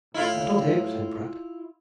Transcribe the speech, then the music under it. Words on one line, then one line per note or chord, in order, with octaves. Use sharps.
"That'll do," said Pratt.
A2 E4 F4